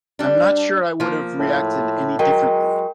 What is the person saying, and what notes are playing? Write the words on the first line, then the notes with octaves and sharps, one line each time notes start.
I'm not sure I would have reacted any differently.
G3 D4
F3 A#3
A2
F#3 G#3 A#4 G5